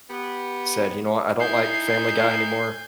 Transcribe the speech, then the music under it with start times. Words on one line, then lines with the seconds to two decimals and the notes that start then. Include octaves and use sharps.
said, "You know what? I don't like Family Guy anymore."
0.10 B3 G4
1.40 D#4 E4 G#5 G6 C7